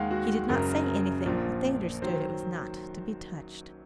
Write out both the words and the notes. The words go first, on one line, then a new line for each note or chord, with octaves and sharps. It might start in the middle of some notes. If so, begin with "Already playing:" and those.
He did not say anything, but they understood it was not to be touched.
Already playing: D#2 D#3 G#3 F5 F#5
F#4
F#1 F#2 C#3 F#3 A#4
A#1 A#2 F3
D#3 F#3 C5